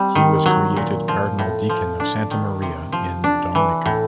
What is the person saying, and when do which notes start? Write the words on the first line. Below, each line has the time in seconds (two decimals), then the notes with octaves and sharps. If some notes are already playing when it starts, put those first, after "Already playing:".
He was created Cardinal Deacon of "Santa Maria in Domnica".
Already playing: G3 C4
0.15 D#3
0.46 F#3
0.76 A#2
1.08 F3
1.39 A2
1.69 F3
2.00 D4
2.31 D#3
2.62 C3
2.92 F3
3.24 D4
3.55 E3
3.86 A2